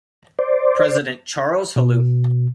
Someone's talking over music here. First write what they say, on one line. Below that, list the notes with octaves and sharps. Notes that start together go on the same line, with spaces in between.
President Charles Helou.
C5 D5
B2